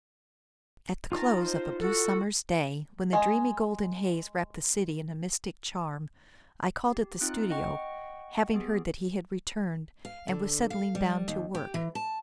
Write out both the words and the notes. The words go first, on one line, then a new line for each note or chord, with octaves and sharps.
At the close of a blue summer's day, when the dreamy, golden haze wrapped the city in a mystic charm, I called at the studio, having heard that he had returned, and was settling down to work.
D#3 F4 A5 A#5
D#4 C5
F#4 A4 F#5
G#3 D#5 G#5
G4
C4 D#4 F4 D#6 F#6
D#5 F#5 G5 C#6
B3 G4 G#4
F5
D3
F5
G3
D#2
G4
E3
A5